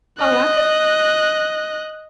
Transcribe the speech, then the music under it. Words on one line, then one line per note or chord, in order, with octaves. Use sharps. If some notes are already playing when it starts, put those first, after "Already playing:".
Oh, I could d
D#5 F#6